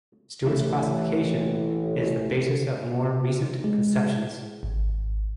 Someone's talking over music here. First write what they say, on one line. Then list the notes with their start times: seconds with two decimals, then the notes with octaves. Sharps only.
Stewart's classification is the basis of more recent conceptions.
0.46 A1 E3 E4
3.64 G#3
4.63 G#1